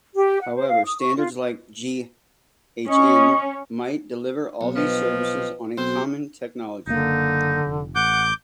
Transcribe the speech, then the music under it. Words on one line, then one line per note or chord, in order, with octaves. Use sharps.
However, standards like G.hn might deliver all these services on a common technology.
G4
F#5
C5
F5
D#6
C#6
F4
C#4 D#5 C#6 D#6
B1 C#5
F3 B4 D#5 G5
B1 C4 F#4 C5
F#1 D3 A#3 D#4
F1
A1 F#5 D6 G6